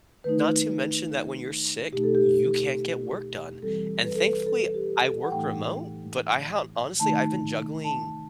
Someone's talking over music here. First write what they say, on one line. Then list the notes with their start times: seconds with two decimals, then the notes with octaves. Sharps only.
not to mention that when you're sick, you can't get work done. And, thankfully, I work remote, but I have honestly, I've been juggling
0.24 D#3 A3 D#4 B4
1.93 B2 A3 D#4 G4
2.04 A4
2.15 G4
3.62 E3 G3 C4 A4
4.04 B4
4.15 A4
4.27 B4
4.47 A4
4.74 G4
5.03 A4
5.22 F#5
5.31 A2 E3 A3 D#4 G5
7.00 C3 D#3 A3 D#4 A5
7.84 A5